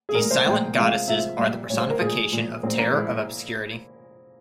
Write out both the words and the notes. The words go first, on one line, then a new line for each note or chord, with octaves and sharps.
These silent goddesses are the personification of terror of obscurity.
G#4
A#2 G#3 A#4
C5
A#2 G#3 G5
C3 F3 G#3 F5
C3 F3 G#3 E5
A#2 G3
A#2 G3 C#5
C5
A#4
A#2 F3 G#3 G#4
A#2 F3 G#3
A#2 G#3 C4
A#3
A#2 G#3 E4